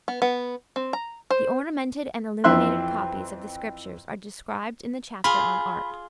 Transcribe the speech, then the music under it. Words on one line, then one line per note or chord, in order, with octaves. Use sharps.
The ornamented and illuminated copies of the Scriptures are described in the chapter on Art.
B3
B3
C4
A#5
C5
F2 E3 C4 E5 C6 F#6
F4 G#4 B5